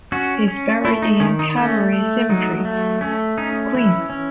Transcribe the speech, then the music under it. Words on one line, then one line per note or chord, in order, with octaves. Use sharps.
He is buried in Calvary Cemetery, Queens.
C#4 F#4
C#4
A3 E4
D#4
D#3 C#4
D#4
A3 C#4
A3
F#3 D#4
A3
A3 C#4
C#4 D#4
E3 E4
C#4